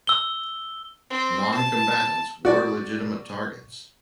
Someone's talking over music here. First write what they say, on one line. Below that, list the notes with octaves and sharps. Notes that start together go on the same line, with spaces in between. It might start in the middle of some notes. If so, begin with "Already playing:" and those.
Noncombatants were legitimate targets.
E6 G7
C4
A5
F#4 D5